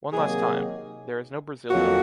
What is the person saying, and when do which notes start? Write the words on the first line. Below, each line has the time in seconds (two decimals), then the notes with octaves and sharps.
One last time... There is no Brazilian?...
0.12 C3 D#3 F#3 A#3 G#4
1.70 F2 D#3 F#3 A#3 F#4